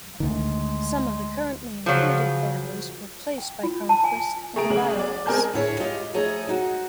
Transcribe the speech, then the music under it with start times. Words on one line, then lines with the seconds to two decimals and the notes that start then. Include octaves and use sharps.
Some of the currently included families were placed by Cronquist in the Violales.
0.20 D2 D#3 G#3
1.86 C#3 F3 F#3
3.38 G5
3.63 F4
3.89 A5
4.04 G#5
4.56 A3 G#4 A#5 D7
4.70 B1 C#3 G#4 C#5 F#7
4.99 D5
5.26 G#3 C4 A#4 G#5 A5 G6
5.53 D2 A2 A3 E4 G#4 C#5
5.80 G#3 F4 G4 D#5 F5
6.14 F3 A3 D#4 G#4 C#5 D#5
6.47 G#3 D#4 F#4